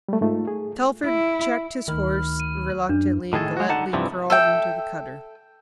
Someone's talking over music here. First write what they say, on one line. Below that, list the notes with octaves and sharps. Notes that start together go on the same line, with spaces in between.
Telford checked his horse reluctantly and Galletly crawled into the cutter.
G3 A3
G#2 A3 D#4 F4
G#4
E4
D2 D#3 B5 F6
D#7
F#2 D4
A2 D#3 G#4 A4
G#3 F#4
D3 D#4 F#5 A5
G2 C3 E3 F3
A4 E5 G5